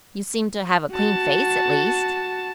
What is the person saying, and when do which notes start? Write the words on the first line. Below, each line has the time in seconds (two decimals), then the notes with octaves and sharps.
"You seem to have a clean face, at least."
0.91 F#4 A5